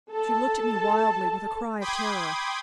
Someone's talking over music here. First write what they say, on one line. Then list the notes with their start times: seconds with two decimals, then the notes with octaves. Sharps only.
She looked at me wildly, with a cry of terror.
0.11 A4 A5
1.80 G5 B5 C6 D6 D#6 G#6